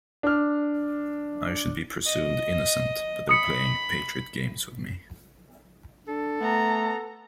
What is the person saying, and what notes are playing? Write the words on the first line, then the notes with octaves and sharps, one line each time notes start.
I should be presumed innocent but they're playing patriot games with me.
D4 F6
D#5
B5 D#6 C#7
D4 A4
A3 B3 A#5